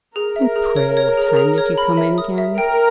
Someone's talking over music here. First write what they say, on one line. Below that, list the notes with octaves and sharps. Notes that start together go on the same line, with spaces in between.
"And pray what time did you come in again?"
G#4 A#4
E5
G#4
C#5
C#5
G#4
G#4
C#5
B5
E5
D#6
E5
A#4 G5